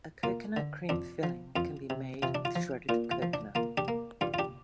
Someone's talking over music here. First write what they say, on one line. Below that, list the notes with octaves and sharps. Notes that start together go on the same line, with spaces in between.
A coconut cream filling can be made with shredded coconut.
A#3 F4
D3
F2 D4
F3
F2 F4
C3
C3 F4
D4
F4
F3
A#2 F4
F4
F3
D4
A#3 F4
D4 G4
A#3
G2 F4
F4
D4 G4